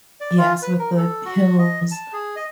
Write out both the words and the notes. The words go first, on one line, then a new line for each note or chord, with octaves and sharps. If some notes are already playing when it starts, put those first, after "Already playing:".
Yes, with the hills,
D5
F4
B4
A#4
A4
F#4
D#5
A5
G#4
D#5